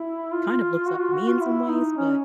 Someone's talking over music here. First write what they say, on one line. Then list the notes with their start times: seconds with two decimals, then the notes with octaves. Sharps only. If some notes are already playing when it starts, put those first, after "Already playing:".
kind of looks up to me in some ways, but
Already playing: E4
0.34 F4
0.88 F#4
1.01 F4
1.14 F#4
1.29 F4
1.42 E4
1.70 D#4
1.97 C#4